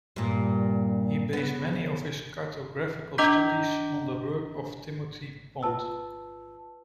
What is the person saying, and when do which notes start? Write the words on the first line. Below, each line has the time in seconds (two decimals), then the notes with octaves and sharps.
He based many of his cartographical studies on the work of Timothy Pont.
0.16 G2 A#2
1.33 C#3 B3
3.18 D4 D#5 A#5 D6 G6 B6
5.63 F4 B4 A5 E6